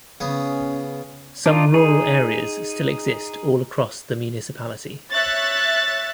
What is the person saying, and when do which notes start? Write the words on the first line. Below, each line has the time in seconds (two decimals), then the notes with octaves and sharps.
Some rural areas still exist all across the municipality.
0.20 C#3 B3 C#4 G#4
1.46 D4 D#4 F4
1.74 D#4 G#4
5.13 C#5 E5 F#6 A6